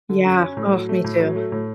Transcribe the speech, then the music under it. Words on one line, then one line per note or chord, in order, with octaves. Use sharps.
Yeah. Oh, me too.
D3
F#2
C#4
A2
F#3
A3
A2
F#3
A3
A2